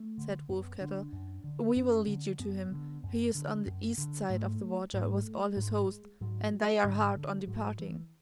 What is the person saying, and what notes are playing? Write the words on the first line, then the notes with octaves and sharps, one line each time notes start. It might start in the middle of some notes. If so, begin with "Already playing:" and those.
Said Wolfkettle, "We will lead you to him; he is on the east side of the water, with all his host, and they are hard on departing."
Already playing: A3
D3
F#2 B3
D3 D4
F#2
D3
F#2 C#4
D3
F#2 B3
D3
F#2
D3
F#2
D3
G#2 A3
G#2 A3
G#2 G#3
G#2 F#3
G#2 D3
D3
G#2 F#3
E3